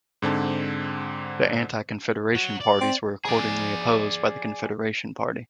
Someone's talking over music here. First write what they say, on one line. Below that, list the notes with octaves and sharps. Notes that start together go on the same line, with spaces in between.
The Anti-Confederation parties were accordingly opposed by the Confederation Party.
G#2 D3 C4 A5
C#5 F#5
D5
C4
G#4 D5